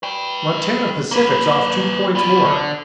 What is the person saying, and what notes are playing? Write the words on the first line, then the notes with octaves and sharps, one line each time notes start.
Montana Pacific's off two points more.
B4 G5
A#3 B4
B3 F4
D3